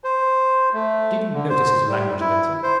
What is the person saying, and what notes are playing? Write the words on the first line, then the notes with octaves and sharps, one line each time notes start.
Did you notice his language, Linton?
C5
A3
D3
C5
G3
E4
C5